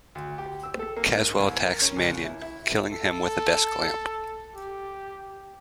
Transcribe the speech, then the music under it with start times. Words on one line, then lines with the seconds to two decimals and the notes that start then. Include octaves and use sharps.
Caswell attacks Manion, killing him with a desk lamp.
0.15 D2
0.38 G4
0.63 E6
0.79 A4
0.97 A#3
1.16 G#2
1.38 C2
1.65 A#4
1.82 C#4
1.97 C#2
2.25 E4
2.42 E4
2.92 A4
4.56 G4